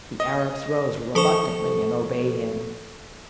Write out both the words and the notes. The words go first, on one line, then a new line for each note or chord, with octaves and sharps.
The Arabs rose reluctantly and obeyed him.
D#5
F3 A4 C5 C#6